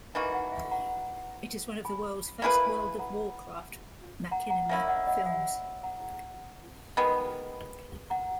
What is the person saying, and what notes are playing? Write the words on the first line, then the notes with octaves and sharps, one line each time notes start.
It is one of the world's first World of Warcraft machinima films.
E3 A#3 D#4 F#4 E5 G#5
D#5 F#5
E5 G#5
F#5 A#5
G#5 B5
A#3 E4 G#4 B4
F#5 A#5
F#5 A#5
F#5 A#5
A#3 C#4 E4 E5 G#5
E5
D#5 F#5
D#5 F#5
F#5
E5 G#5
F#5 A#5
D#3 G#3 B3 G#5 B5
F#5 A#5